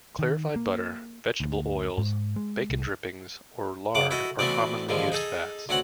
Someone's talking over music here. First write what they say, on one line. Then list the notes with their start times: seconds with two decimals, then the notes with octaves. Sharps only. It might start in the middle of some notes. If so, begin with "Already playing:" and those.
Clarified butter, vegetable oils, bacon drippings or lard are commonly used fats.
0.19 D#3
0.56 A#3
1.40 D2
1.98 G#2
2.36 G#3
2.70 C2
3.95 C#3 F#5 D6
4.11 E4 F#4 A4 D#5
4.39 E3 A3 B3 C4 F#4 D5
4.89 D#2 G#2 D3 E3 F3
5.12 D#4 G#4 A4 D#6
5.69 D2 C4 C#4 F#4 F#5